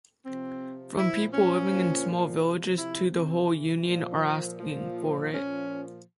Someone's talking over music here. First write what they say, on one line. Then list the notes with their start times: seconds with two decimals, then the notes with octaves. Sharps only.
From people living in small villages to the whole Union are asking for it.
0.25 C3 F3 C4
0.98 A#2 F3 E4
1.34 C#4
1.70 A#2 F3
2.43 C3 F3
2.78 E4
3.15 C3 E3 C4
3.86 A#2 F3
4.59 A#2 F3
5.31 A#2 F3 C#4